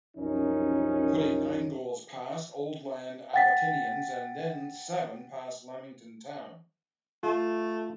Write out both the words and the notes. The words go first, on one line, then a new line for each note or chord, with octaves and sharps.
Putting nine goals past Oldland Abbotonians and then seven past Lymington Town.
C2 F#2 F3 C#4 D#4 A#4
F#5 G5 A6 B6
A3 F4